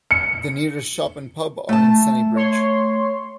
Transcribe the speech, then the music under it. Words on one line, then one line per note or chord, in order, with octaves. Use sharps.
The nearest shop and pub are in Sennybridge.
C#7
A3 A5
C#5 C6